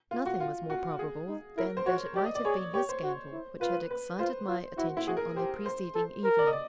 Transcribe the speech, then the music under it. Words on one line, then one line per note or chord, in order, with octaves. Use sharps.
Nothing was more probable than that it might have been his candle which had excited my attention on a preceding evening.
F4
F#4
F4
F#4
G#4
D#4
E4 A#4
C5
F#4 C#5
G4 D5
D#5
D5
G#4 C#5
G4 C#5
C5
F#4
E4
F4 B4
B4
F4 C5
F4
E4 F#4
E4
F#4 G#4
A#4
G4 C5
C5
A4
A#4
D5
D#5
D5